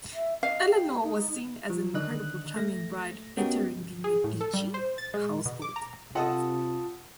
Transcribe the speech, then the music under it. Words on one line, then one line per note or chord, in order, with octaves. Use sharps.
Eleanor was seen as an incredibly charming bride entering the Medici household.
E5
D#5 F5
G4
D#4
F3
D3 D#3 D4 D#5 F#6
A3 A#6
B3 C#4 F#4 G4 A#4 D#5
G#4
A2
A4
G3
C5
A6
G#3
B2
D6
A#5
C3 F4 A4 D#5 F#5 A5 D#6